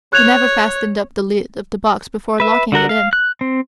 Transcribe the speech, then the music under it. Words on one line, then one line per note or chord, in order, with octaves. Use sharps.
We never fastened up the lid of the box before locking it in.
C#5 F#6 G#6 F7
B4 E5
D3 F#4 A#4 F#5
F5
F#6
C4